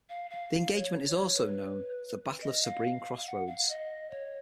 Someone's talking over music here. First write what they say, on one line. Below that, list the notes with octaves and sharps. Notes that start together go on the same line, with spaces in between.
The engagement is also known as the Battle of Sabine Crossroads.
F5
F5
C#5
C#5
B4
D#5
F5
F#5
F5
D#5
C#5